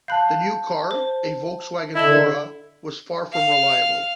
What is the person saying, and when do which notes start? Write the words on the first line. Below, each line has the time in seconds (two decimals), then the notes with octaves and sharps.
The new car, a Volkswagen Bora, was far from reliable.
0.08 F5 A5 B5 F#6 G6
0.91 C5
1.95 D3 E4 D#5 E5 A5 G7
3.33 F5